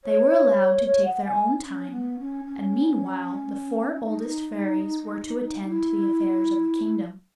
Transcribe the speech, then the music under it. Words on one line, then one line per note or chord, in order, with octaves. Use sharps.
They were allowed to take their own time, and meanwhile the four oldest fairies were to attend to the affairs of the kingdom.
C#5
C#5
F#5
G#5
C#4
B3
C#4
C#4
D#4
E4